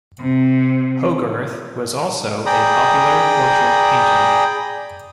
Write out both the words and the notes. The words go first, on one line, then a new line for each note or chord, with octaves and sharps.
Hogarth was also a popular portrait painter.
C3
G#4 D5 G5 A#5 B5 D#6